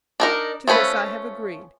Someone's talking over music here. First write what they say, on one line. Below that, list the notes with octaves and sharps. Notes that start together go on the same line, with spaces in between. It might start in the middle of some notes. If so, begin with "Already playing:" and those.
To this I have agreed.
D4 D#4 A#4
F3 A3 C#4 B4